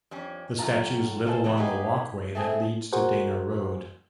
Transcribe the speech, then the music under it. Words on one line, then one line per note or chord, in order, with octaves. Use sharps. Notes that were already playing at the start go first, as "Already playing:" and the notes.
The statues live along the walkway that leads to Dana Road.
F2 G3 C#4
F#2 A2 C#3 F4 A#5
A4 C5 F5 G#5 A5
A2 C3 E3 F3
A#3 B3 D#4 G4 G#4
A3 C4 G#4
F#4 G#4 A#4 C5 F#5